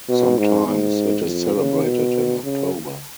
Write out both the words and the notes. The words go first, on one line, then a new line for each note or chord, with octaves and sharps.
Sometimes it is celebrated in October.
B2
G#2
G#2
F2
C#3
B2
C#3